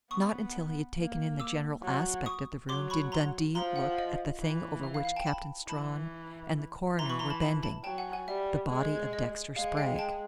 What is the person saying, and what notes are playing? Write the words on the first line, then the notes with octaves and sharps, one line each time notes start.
Not until he had taken in the general aspect of the room did Dundee look at the thing over which Captain Strawn and the coroner were bending--the body of Dexter Sprague.
B3 C#6 D#6
A#3
D6 E6
F#3
C#6 D#6
F#3 C6 D6
B5 C#6
A#5 C6
F3 A#5 C6
F#5
D#5
E3
E5
F5
F5
G5 A5
A5 B5
E3 A5 B5
E3 A#5 C6
B5 C#6
A#5 C6
A5 B5
A5 B5
A5 B5
F#3 G5 A5
F#5 G#5
F#5 G#5
G3 E5
G#3
D#5
G#3 F5
F5 G5
G5 A5